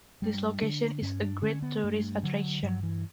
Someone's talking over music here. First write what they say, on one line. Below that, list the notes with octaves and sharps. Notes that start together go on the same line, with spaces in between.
This location is a great tourist attraction.
G2 G3
D3 D4
G2 C#4
D4
D3 C#4
B3
G2 A3
D3 F#3
G2 F#3
E3